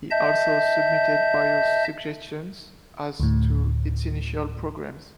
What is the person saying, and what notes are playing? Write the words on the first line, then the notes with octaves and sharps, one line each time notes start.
He also submitted various suggestions as to its initial programs.
D#5 E5 A5 G6
D2 A2